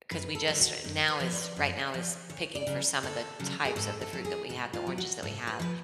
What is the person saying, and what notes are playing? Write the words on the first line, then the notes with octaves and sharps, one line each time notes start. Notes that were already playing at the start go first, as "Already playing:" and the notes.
'cause we just now is right now is picking for some of the types of the fruit that we have the oranges that we have,
F#2 B4
A4
D3 F#3
F#4
F#2
B4
F3
D5
F#2
F3
D2 C#5
D5
C#3 F#3
D2 A4
C#3 F#3
G#4
G#2 A4
A4
F#3
G#4
G#2 F#4
F4
F#3
F#4
G#2 A4
B4
F3 B4